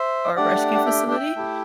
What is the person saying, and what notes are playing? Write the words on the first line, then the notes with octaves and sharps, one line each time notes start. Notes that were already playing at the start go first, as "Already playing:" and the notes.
our rescue facility,
Already playing: C5 E5
A3 D4 G4 D5 F#5
F#5
E5 G5
E5 G5
A3 E4 G4